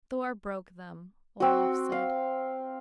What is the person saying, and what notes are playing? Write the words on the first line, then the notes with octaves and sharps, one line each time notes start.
"Thor broke them," Olaf said.
C4 F#4
F5